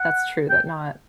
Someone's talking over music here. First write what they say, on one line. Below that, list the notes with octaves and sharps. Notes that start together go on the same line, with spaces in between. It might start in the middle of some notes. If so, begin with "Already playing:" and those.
that's true that not
Already playing: F#5
G5